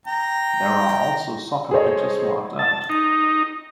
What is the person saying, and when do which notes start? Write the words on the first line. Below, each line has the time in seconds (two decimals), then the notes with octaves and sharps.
There are also soccer pitches marked out.
0.07 G5 A#5
1.71 G#4 A4 C5 C#5 D#5
2.59 A5
2.90 D#4